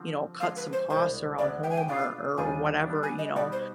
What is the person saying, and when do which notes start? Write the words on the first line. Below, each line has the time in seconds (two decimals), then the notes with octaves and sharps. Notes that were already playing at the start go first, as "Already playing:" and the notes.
you know, cut some costs around home or or whatever, you know.
Already playing: D3 F3 C4 G4
0.40 D3 F3 G#3 C4 F5
0.57 B4
0.73 C5
0.90 C2 B2 G#3 D4 C5
1.38 D2 D3 G#3 B3 D5
1.63 G5
1.70 G#5
1.78 G5
1.88 B2 B3 D4 F4 G#4 F5
2.37 D#2 D#3 G3 D4 F4 G#5
2.86 D3 G3 B3 D4
3.03 G#5
3.18 D#5
3.35 B2 G3 B3 D#4 D5
3.52 C5